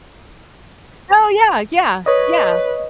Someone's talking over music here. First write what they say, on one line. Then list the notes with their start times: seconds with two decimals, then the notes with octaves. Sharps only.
Oh, yeah, yeah, yeah.
2.06 B4 C#5 D#5